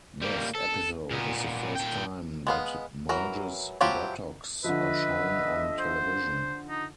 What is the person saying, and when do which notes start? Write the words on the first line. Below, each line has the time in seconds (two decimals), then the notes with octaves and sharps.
This episode is the first time that Marge's buttocks are shown on television.
0.22 G3 A#3
0.55 A4
1.11 A#2 B3
1.75 A#2 G5
2.47 G#3 B3 F5
3.09 E3 F#3 A#4
3.81 F3 F#3 E4 F4 G4
4.64 D3 F3 B4 D#5 E5
5.79 C5
6.69 D#4